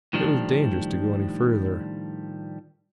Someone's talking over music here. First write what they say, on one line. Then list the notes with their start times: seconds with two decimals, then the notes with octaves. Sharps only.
It was dangerous to go any further.
0.13 A2 D#3 F3 G3 D4